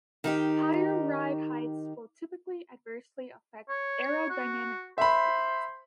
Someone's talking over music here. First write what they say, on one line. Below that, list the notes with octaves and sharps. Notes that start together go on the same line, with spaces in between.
Higher ride heights will typically adversely affect aerodynamic properties.
D#3 D#4 G4
C#5
F#4
C5 E5 B5